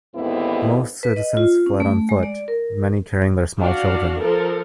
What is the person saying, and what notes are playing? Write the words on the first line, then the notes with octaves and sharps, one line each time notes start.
Most citizens fled on foot, many carrying their small children.
D#2 G#2 D3 B3 C4 E4
B4
D#5
F4
C#4
A3
G#3
D5
A#4
D4 F#4 F5
F3 A4 A#4